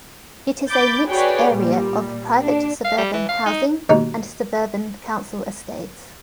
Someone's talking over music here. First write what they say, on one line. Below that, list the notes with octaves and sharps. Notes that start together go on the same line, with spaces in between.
It is a mixed area of private suburban housing and suburban council estates.
B5 D6 G6 A6
F#4 G#4 B4 C#5 D5 G5
A#2 G3
D4
F5
G3
E3
F5
D#4
D#2 G#2 B2 D#4